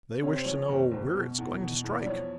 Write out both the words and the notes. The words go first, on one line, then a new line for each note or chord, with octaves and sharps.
They wish to know where it is going to strike.
C3 C#5
C5
F3 C#5
F#1
F#1
B2
E2
B2
E2
D5
F3 C#5